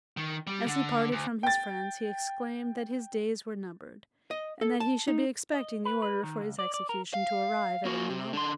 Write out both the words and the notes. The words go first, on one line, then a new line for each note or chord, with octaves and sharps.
As he parted from his friends he exclaimed that his days were numbered, and that he should be expecting the order for his execution to arrive at any moment.
D#3
G3
D3
D2
G5 A6
D#5
A4
A5
D#4
D#5
B4
B4
D#3
C#2
D5
D5
A#4
F5
A#3 F#4
C3
D3 C6